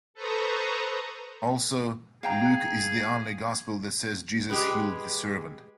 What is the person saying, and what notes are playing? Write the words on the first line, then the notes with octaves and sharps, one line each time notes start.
Also, Luke is the only gospel that says Jesus healed the servant.
A4 B4 C5 A#5 C#6 D#6
G#4 F5 G5 A#5
G#3 G4 G#4 B4